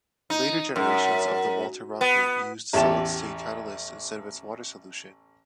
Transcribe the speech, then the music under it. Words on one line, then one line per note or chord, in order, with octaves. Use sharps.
Later generations of the Walter Rocket used solid-state catalyst instead of its water solution.
D#4
F#2
B3
A1 E2 G4 A5